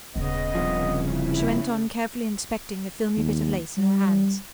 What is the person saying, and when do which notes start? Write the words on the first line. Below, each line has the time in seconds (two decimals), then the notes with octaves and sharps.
She went on carefully inspecting the filmy bit of lace in her hands.
0.16 D#1 C#3 B3 C#4 D#5
0.55 G2 C3 F3
1.10 E4
3.17 D#2
3.78 G3